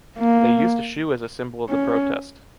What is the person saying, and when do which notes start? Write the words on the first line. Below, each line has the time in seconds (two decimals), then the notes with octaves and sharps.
They used a shoe as a symbol of the protest.
0.18 A#3
1.69 C#4